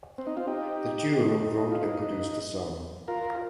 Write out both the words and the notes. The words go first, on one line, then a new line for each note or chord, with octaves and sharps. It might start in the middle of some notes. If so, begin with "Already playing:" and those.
The duo wrote and produced the song.
C4
D#4
C4 F4
D#4 G4
D#4
F4
D#4
F4 A#4